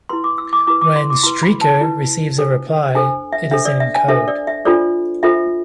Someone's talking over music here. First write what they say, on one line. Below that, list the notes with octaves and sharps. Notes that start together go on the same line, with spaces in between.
When "Streaker" receives a reply, it is in code.
E4 B4 C6
D6
E6
D6
E4 B4 D6
D6
C6
D6
E4 B4 C6
B5
A5
E4 B4
D4 A4 C5
D4 A4 C5 G#5
E5
D4 A4 C5 E5
D5
E5
G#5
D4 A4 C5 E5
D5
E5
D4 F4 A4 C5 D5
D4 F4 A4 C5 E5